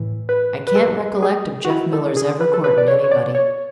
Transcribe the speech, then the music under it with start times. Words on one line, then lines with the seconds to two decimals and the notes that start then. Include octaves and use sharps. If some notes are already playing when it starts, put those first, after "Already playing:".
I can't recollect of Jeff Miller's ever courting anybody.
Already playing: A2 E3
0.29 B4
0.67 B4
0.76 A4
1.22 G#4
1.65 F#4
1.70 E4
1.93 A4
2.17 G#4
2.41 B4
2.54 A4
2.64 B4
2.78 D5
2.88 C#5
3.04 C#5
3.11 D5
3.35 C#5